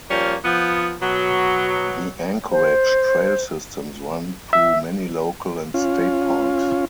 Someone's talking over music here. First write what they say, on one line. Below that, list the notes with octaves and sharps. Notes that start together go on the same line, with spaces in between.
The Anchorage Trail Systems run through many local and state parks.
F3 G3 A#3 C#4
F3 B3
B2 F#3
C5
E5
C#4 F4